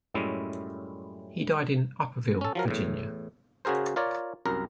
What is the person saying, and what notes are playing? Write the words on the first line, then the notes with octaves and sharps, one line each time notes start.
He died in Upperville, Virginia.
F#2 A2 G3 G#3 C#4 E4
C#4 A4
F3 F#3 A#4
E2 A2
C#3 F#4 G#4 A#4 C5
F4 A#4 C#5 D5
C2 F#2 A#4 A#5